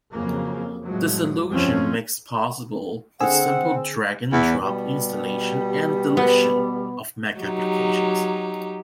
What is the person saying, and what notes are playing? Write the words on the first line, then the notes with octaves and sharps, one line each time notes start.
This illusion makes possible the simple drag-and-drop installation and deletion of Mac applications.
F2 C#3 F#3 A#3
A2 F3 F#3 G#3
G1 F2 F3 G#3 C4 C#4
D3 C4 G#4 F#5 E6
E2
B2 G3
B3
F#3 D#4 G4